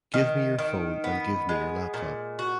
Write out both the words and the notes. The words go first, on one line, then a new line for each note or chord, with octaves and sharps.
Give me your phone and give me your laptop.
D#3
D#3
B3
G#3
A#2
F#4